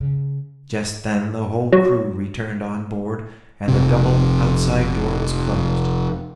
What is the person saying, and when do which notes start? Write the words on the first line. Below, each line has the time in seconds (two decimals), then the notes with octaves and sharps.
Just then the whole crew returned on board, and the double outside door was closed.
0.01 C#3
1.73 F#3
3.68 F1 C3